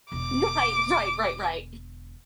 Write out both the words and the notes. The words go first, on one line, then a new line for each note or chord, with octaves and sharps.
Right, right, right, right.
E1 D3 D6